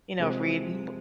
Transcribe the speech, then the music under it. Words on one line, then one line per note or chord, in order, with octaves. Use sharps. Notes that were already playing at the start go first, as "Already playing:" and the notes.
you know, read w
C3 F3 G#3 C4